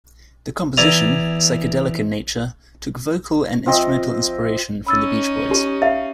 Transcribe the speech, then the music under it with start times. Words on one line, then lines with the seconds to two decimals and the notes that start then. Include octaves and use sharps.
The composition, psychedelic in nature, took vocal and instrumental inspiration from The Beach Boys.
0.77 E2 E4 D5 G#5 A#5
3.66 F3 C4 D#5 E5
4.87 C#4 D#4 B5 E6 A6
5.51 G4
5.82 E5 F5